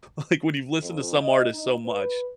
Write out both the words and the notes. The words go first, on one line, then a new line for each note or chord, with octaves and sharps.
L like when you've listened to some artist so much,
F2
D#5
D#4
B4